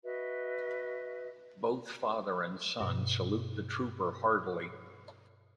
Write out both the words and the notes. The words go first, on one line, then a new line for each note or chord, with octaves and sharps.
Both father and son salute the trooper heartily.
F#4 B4 D#5 E5
G2 B2